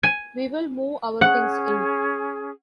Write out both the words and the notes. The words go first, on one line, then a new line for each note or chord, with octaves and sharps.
We will move our things in.
G#5
C#4 G#4 F#5